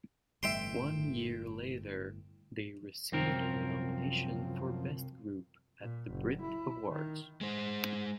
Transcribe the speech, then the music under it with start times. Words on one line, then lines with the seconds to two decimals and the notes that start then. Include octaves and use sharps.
One year later they received a nomination for "Best Group" at the Brit Awards.
0.43 G1 A2 E3 E5 G5 C6
3.12 C2 F#2 F3 C4 A#4
5.81 A#2
6.11 F#1
6.42 E4
6.91 D#3
7.41 G#3 C5